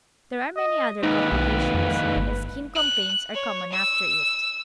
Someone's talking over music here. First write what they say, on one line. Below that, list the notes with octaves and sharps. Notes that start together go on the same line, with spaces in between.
There are many other complications, and skin complaints are common after it.
D#5
D#2 G#2 D#4 B4
B1
F2
G1
F#6
C#5
E6